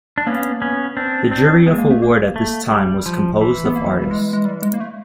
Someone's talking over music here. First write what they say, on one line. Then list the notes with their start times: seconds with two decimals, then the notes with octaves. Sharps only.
The jury of award at this time was composed of artists.
0.18 D4
0.26 A#3 B3 C#4
0.62 B3 C#4
0.97 C4 D4
1.31 C4 D4
1.66 G#3 B3
1.78 A#3
1.91 A3
2.02 A#3
2.36 A3
2.71 G3
3.06 F3
3.41 E3
3.65 B3
3.76 A#3
4.02 G3
4.11 G#3
4.33 G#3
4.45 G3
4.62 G#3
4.74 A#3
4.80 A3